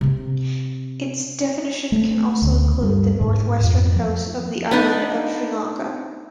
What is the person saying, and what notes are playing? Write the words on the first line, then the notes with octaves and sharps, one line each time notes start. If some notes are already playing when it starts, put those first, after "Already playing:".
Its definition can also include the northwestern coast of the island of Sri Lanka.
C3 C4
A3
D2
G2
G#2
F2
F3
B3 D4 D#4